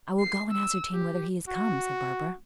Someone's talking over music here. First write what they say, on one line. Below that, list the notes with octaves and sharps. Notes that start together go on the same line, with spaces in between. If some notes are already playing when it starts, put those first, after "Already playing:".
"I will go and ascertain whether he is come," said Barbara.
C7
E6
G4
F#4